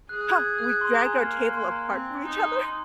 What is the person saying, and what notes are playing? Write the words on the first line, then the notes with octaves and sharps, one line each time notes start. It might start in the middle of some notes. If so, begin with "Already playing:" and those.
Ha! We dragged our table apart from each other.
G#4 F#6
F#6
G#6
G#6
F#6
G#6
F#6
C6
A#5
G#5
A#3 A#5
C6
A#5
C4
D#4 A#5
C6